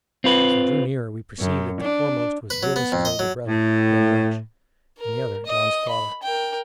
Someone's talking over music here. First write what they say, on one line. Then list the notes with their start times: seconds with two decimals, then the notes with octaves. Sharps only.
As they drew nearer, we perceived that the foremost was Willis's older brother, Ben Murch, and the other John's father.
0.24 C4 F4 B4
1.39 F#2
1.81 D4
2.50 B4
2.63 F#3
2.76 B3
2.92 F2
3.05 D#5
3.19 F#3
3.48 A2
4.98 A#4
5.46 D#5 D#6
5.88 B5
6.23 A#4 G5